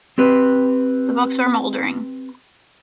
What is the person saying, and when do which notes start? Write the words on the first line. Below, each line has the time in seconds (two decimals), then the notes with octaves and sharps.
The books were mouldering.
0.18 C4 G4 B4